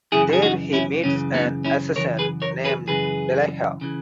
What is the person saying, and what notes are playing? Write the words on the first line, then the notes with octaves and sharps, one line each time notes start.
There he meets an assassin named Delilah.
F#2 C#3 E3 E4 G#4
G#4
D#4 F#4
C#4 E4
F#2 C#3 E3 C#4
B3 D#4
C#4 E4
F#2 C#3 E3 A#4 C#5
G#4 B4
A#4 C#5
G#4 B4
F#2 C#3 E3 G#4 B4
C#3 E3